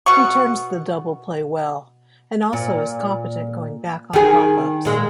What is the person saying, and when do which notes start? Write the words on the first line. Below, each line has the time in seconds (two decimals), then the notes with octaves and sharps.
He turns the double play well, and also is competent going back on pop-ups.
0.06 B2 F#5 C#6
2.53 A#2
4.13 D#3 G#4
4.85 A#2 G#3